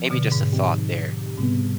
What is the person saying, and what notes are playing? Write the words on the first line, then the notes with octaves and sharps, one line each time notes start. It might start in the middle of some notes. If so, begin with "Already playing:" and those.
maybe just a thought there.
Already playing: F3 C4
B2 D3
G#2
F3 C4 D#4 G4
G#2 C3 G3 B3